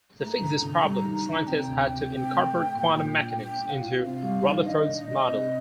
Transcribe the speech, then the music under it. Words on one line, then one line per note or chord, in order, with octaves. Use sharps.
To fix this problem, scientists had to incorporate quantum mechanics into Rutherford's model.
A3 A#5
D3
D3
G3
D#3
D4
C3 G5
D2
G5
C3
C3
A3
A3
A#2
A#2
D4
D4 G5
D4
F5
F4
C3 F5
G3
D#3
D4 D#5
D4
D#5
D4
C3